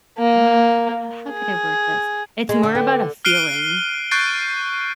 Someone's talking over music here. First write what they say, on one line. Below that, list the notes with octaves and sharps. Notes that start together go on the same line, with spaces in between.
uh, how could I word this? It's more about a feeling,
A#3
G#4
G#3
D3
A4 B4 G5
F6 F#6 C7 D7 D#7 G7
C#6 F#6 G6 A6 C7 D7